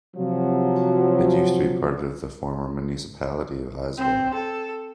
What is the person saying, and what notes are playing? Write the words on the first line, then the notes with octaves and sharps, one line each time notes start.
It used to be part of the former municipality of Izvor.
C3 F3 F#3
C4
A4